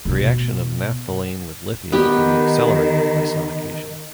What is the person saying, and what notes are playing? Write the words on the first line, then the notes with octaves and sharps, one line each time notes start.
The reaction of naphthalene with lithium can be accelerated by sonication.
B2 B3
D#3 B3 G4